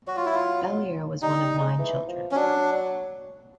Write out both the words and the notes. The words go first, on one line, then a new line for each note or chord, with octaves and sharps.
Bellear was one of nine children.
F#3 F#4
F4
E4
F4
G3 D#4
G3
G#3
E3
F3
C#4
F#3 D4